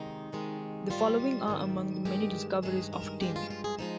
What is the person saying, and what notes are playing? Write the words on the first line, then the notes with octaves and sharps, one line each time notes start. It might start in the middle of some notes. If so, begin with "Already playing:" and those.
The Following are among the many discoveries of Timm.
Already playing: C3 D#3 G#3 D#4
C3 D#3 G#3
G#2 D#3 G3 F4
G#2 D#3 G3
G2 D#3 G#3 G4
G2 D#3 G#3 G#4
A#4
G2 F3 G#3 G4
F4
F4
G#4
F3 G#3 D#4